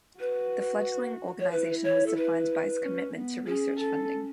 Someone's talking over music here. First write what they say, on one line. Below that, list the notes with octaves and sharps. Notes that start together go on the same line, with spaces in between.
The fledgling organization was defined by its commitment to research funding.
F#4 B4
C#5
E4 B4
C#5
A4
B4
C#4
B3
C#4 G#4
A4